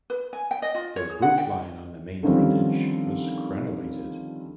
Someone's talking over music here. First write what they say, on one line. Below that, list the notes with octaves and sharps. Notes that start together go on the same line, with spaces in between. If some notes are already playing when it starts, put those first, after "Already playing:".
The roofline on the main frontage was crenelated.
B4
G#5
G5
D#5
F4
C#5
G#4
F#5
G5
D3 D#3 F3 G3 C4 C#4